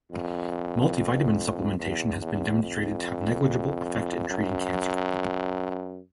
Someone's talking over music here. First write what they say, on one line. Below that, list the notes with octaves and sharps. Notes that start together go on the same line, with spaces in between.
"Multivitamin" supplementation has been demonstrated to have negligible effect in treating cancer.
F2
E2
E2
F2
F#2